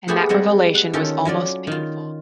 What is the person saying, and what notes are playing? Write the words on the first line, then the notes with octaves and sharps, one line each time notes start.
And that revelation was almost painful.
A3 B3 G4 G#4 C5 F#5
G3 G#3 C4 F#5
F#5
D#3 C#4 F4 A4 G5
F#3 C#4 F4 D5
D#3 F4